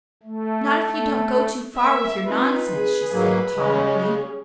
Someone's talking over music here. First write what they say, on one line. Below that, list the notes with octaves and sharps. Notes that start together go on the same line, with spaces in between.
"Not if you don't go too far with your nonsense," she said tolerantly.
A3
A#3 E5
C4 D#4 F4 B4
G#4
G#2 F#3 A#3
C#3 G3 G#3 C#4 G#4